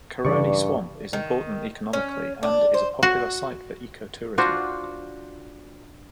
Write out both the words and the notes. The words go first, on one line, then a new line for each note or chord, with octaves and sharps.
Caroni Swamp is important economically and is a popular site for ecotourism.
G2 C#3 E3 D5 C#6
D#3
C#4
D4
C5
F#4
D4 F4 F#4 C5